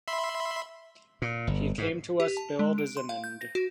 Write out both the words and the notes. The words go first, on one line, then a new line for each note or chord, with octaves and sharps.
He came to us billed as an end.
E5 B5 C6
A#2
G1
G#2
G4
A5
G#3
D7
C6
F5
G6
A#6
F#4